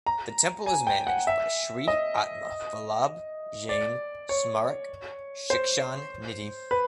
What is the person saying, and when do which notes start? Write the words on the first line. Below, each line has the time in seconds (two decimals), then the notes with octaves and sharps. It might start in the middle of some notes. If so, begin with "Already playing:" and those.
The temple is managed by Shree Atma Vallabh Jain Smarak Shikshan Nidhi.
0.06 A#5
0.66 G#5
0.87 G5
1.07 F#5
1.27 E5
1.88 D#5
3.69 D5
4.29 C#5
5.50 C5
6.71 B4